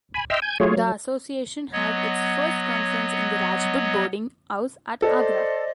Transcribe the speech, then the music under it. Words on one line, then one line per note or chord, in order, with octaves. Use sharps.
The association had its first conference in the Rajput Boarding House at Agra.
G#5 B5
D#5 E5 G5 C6 E6 F6
G#5 G6 G#6
F#3 A3 F4 G#4 C#5
F#3
F#3 B3 C#5 D#5
A4 C5 D5 D#5